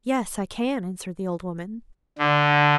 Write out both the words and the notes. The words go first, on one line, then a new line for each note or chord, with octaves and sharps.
'Yes, I can,' answered the old woman.
D3